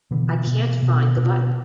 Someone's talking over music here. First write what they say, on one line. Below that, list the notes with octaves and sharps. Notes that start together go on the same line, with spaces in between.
I can't find the button.
B2 D3 E3
B2
B2
B2